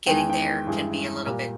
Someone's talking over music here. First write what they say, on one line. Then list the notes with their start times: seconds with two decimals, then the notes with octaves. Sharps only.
getting there can be a little bit
0.07 E2 D#3 G#3 G5
0.18 G#5
0.30 G5
0.67 G2 E3 G#3
1.26 A#2 G3